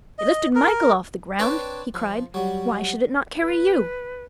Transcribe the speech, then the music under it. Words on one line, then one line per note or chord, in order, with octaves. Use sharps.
"It lifted Michael off the ground," he cried; "why should it not carry you?"
D#5
A#4
C4 D4 B4 C#5 D5 G5
F3
F#3 G3
B4